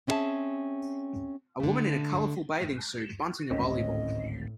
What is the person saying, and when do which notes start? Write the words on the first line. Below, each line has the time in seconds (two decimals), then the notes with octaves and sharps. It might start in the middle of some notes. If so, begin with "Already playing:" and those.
A woman in a colorful bathing suit, bunting a volleyball.
0.07 C4 C#4 E4 G#4 E5 A5
1.60 D3 A3
3.51 G#1 D2 A2 C4 C#4 D#5